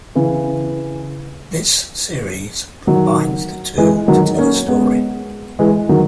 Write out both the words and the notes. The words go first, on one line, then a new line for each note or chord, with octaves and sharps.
This series combines the two to tell a story.
C#3 E3
D#3 F#3
E3 G#3
D#3 F#3
A#3 C#4
G#3 B3
E3 G#3
D#3 F#3